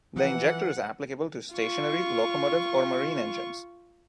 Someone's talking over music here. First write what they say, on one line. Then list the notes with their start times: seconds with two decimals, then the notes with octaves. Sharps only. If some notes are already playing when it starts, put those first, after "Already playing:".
The injector is applicable to stationary, locomotive, or marine engines.
0.16 E3 F3 F#5
1.55 F4 C#6